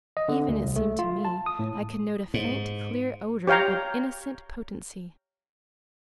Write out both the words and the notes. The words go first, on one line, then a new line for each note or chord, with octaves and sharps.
Even, it seemed to me, I could note a faint, clear odor of innocent potency.
D#5
D3
D2
C2
A3
F4
A5
D#6
A2
G#2
G4 C#5 F5 G5 A#5